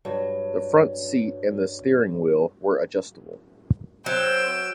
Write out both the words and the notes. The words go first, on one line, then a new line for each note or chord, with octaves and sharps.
The front seat and the steering wheel were adjustable.
G2 F#3
F#3 C5 G5 E6